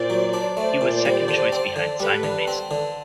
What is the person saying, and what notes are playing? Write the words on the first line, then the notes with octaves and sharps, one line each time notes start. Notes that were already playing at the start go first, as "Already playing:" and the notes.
He was second choice behind Simon Mason.
Already playing: A#2 C5 D5
F#3
D4
A3 C5 D5
A#2
G3
D3
C4
D3
G3 A4 B4
D3
C4
D3